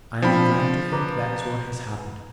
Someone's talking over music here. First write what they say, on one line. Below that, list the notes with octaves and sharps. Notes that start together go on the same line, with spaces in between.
I am inclined to think that is what has happened.
F3 C4 D4 G5 B5
B4 A#5 D6